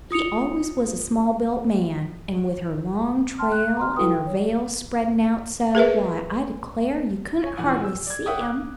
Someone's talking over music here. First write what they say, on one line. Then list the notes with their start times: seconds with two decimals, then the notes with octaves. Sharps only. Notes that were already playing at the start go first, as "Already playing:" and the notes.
He always was a small-built man, and with her long trail and her veil spreadin' out so, why, I declare, you couldn't hardly see him.
0.11 F4 D#6 C#7 F7
3.38 G5 A5 C6 F6
3.52 F#6
3.77 A#5 C6 F6
3.96 E4 F#4 A4 B4 G5 D#6
4.10 G5
4.27 C#5
5.75 G#4 A#4 B4 E5
7.43 C#5 G#5
7.57 E2 A#2 E3 F#5 G#5
7.84 E6
8.07 D5 G#6
8.26 C#5 E5 F#5 G5 C#6 D#6
8.40 D6 F#6